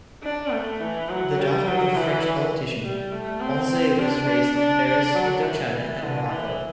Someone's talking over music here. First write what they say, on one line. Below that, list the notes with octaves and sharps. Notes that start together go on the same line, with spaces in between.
The daughter of a French politician, Banzet was raised in Paris, Indochina, and Morocco.
D4
A3
E3
F#3
G3
F#3
E3
G3
A3
C4
D4
D4
D4
F#3
E3
E3
D3
E3